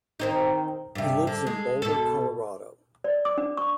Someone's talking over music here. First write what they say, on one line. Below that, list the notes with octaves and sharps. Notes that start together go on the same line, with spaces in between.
He lives in Boulder, Colorado.
D#3 C4 D#4
G2 C3
D3
G#3
B2 A4
D5
D6
D4
C#6